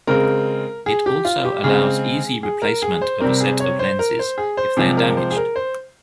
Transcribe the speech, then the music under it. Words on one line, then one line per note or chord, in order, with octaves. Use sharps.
It also allows easy replacement of a set of lenses if they are damaged.
C#3 G#3 C4 A#4
G#4
G4
F4
G4
C#3 G#3 C4 G#4
G#4
A#4
G#4
C5
C3 G3 C4 A#4
G#4
C#5
C5
A#4
C5
G#4
C5
C3 F3 G#3 C4 G#4
A#4
C5
G#4
A#4
C5